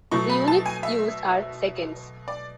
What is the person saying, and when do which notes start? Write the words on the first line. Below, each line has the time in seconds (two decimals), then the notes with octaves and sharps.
The units used are seconds.
0.11 B2 F#3 A3 C#6
0.30 B5
0.48 A5
0.66 G#5
0.83 E5
2.28 D5